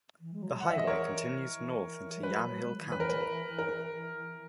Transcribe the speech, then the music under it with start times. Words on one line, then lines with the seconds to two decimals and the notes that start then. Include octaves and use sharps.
The highway continues north, into Yamhill County.
0.20 E3
0.33 G#3
0.42 F#3
0.60 F#5
0.65 E3 E5
0.78 D#5
0.87 E3 A#4 C#5
2.17 G#3
2.23 F#3 B4
2.50 F#3
2.57 G#3
2.79 D#3
2.91 E3 B4
3.00 A#4
3.09 B4
3.58 A#4